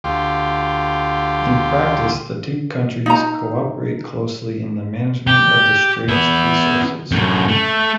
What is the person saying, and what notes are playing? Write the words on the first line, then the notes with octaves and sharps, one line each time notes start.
In practice the two countries co-operate closely in the management of the strait's resources.
D2 F4 G4
D#4 A#5
G4
B3 E4
F#2 A2
A3